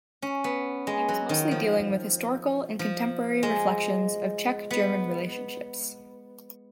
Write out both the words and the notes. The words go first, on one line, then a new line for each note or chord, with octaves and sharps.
He was mostly dealing with historical and contemporary reflections of the Czech-German relationships.
C#4
B3
G#3
F#3
D#3
F3
F3
G#3
B3